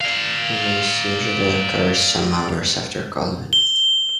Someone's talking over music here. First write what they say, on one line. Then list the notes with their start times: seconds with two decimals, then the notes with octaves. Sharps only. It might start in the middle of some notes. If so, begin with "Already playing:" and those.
This usually occurs some hours after calving.
0.01 D5 F5
3.53 G7